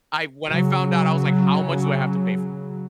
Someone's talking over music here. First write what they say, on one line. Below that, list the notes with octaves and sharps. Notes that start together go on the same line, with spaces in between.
I when I found out, I was like, "How much do I have to pay for this?"
C#3 F#3